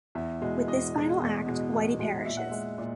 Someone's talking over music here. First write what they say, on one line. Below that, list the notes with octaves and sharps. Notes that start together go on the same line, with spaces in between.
With this final act, Whitey perishes.
E2 E5
B2 G#3
E2 D#5
B2 G#3
E2
B2 G#3
E2
B2 G#3
A#2 E5
F#5
G#3 E5
A#2